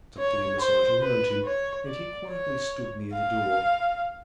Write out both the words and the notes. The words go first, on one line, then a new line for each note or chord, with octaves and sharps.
Something in the sight alarmed him, and he quietly stood near the door.
C#5
C5
B4
C#5
D5
C#5
F5